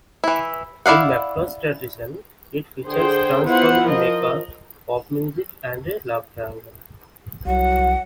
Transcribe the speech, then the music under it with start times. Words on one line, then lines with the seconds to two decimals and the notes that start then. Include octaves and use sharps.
In "Macross" tradition, it features transforming mecha, pop music, and a love triangle.
0.24 E3 E4
0.86 E4 D5 F5 F#5
2.87 D3 G#4 C5 G5
3.45 B3 E4 F4 C5 F#5
3.83 F3 A#4 D#5
7.46 C2 F#3 F#5